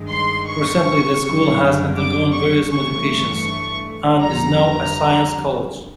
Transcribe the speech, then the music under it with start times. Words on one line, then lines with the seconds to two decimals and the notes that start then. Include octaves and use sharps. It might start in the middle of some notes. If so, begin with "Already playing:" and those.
Recently the school has undergone various modifications, and is now a Science College.
Already playing: G2 D#3 G#3
0.09 C6
0.48 C#6
1.22 F#2 D3 G3
1.97 D6
2.33 C#6
2.70 G2 E3 A3 C#6
4.19 F2 D3 G3 A#5